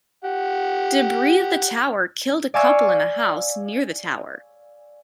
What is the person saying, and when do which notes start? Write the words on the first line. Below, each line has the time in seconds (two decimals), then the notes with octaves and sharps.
Debris of the tower killed a couple in a house near the tower.
0.24 G4 F#5
2.54 D5 F5 G#5 C#6 E6 F6